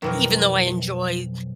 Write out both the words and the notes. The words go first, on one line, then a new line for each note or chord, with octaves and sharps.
even though I enjoy
B1 F2 D#3 E3 A#4